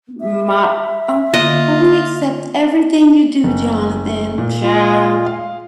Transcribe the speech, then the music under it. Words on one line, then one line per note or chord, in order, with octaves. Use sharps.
My "Oh oh, we accept everything you do, Jonathan." Child,
E5
D3 A#3 F4 D#5
F#1
A#2
F4
F5